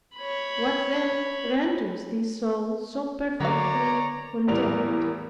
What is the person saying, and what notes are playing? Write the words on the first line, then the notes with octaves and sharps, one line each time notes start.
What, then, renders this soul so perfectly content?
C#5 B5
D3 F#3 A#3 C#5 D5 F5 A#5
E2 A2 G3 A#4 F7